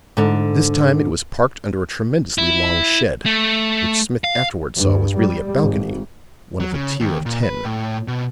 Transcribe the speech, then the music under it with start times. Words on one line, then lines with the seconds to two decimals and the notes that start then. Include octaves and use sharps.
This time it was parked under a tremendously long shed, which Smith afterward saw was really a balcony, one of a tier of ten.
0.17 G#2 D3
2.38 E4
3.26 A3
4.24 F5
4.76 G2
5.22 G3
5.63 G#1
6.60 F#3
6.74 C#3
7.00 D#2
7.26 A#2
7.44 B4
7.65 A2
8.08 B2